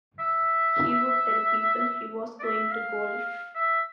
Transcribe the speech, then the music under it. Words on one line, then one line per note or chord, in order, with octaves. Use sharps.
He would tell people he was going to golf.
E5
D5
E5
F5
E5